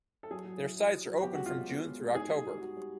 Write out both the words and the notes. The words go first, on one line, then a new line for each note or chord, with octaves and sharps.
Their sites are open from June through October.
A4
F#3 G#4
F#3
E4
E4
F#3
F#3
F#4
B3 G4
G#3 F#4
F4
G#3
B3
G#3
G#3
D#4 G#4
G3
F#4
F#4
G3